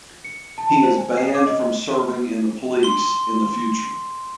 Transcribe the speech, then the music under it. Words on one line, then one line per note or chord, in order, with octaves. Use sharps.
He is banned from serving in the police in the future.
C#7
A5
C5
G#5
C7
D6
D#5
C6 G7